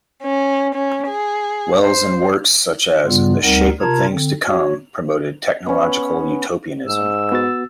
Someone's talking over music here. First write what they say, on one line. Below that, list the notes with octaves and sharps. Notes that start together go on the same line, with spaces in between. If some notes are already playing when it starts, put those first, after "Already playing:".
Wells in works such as "The Shape of Things to Come" promoted technological utopianism.
C#4
C#4
G#4
C5
G2 C#3 G3 B3 F4
D2 G3 C4 D#4 A#4 F#5
C3 F4 A#4 A5 A#5 G#6
D3 C4
F#4 C#5
B3 C#4
G#2 E6
B3 F#4 A6